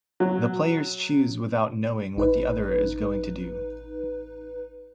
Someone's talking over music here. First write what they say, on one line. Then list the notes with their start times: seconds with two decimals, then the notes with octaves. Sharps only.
The players choose without knowing what the other is going to do.
0.20 F#3
2.17 A1 D#4 B4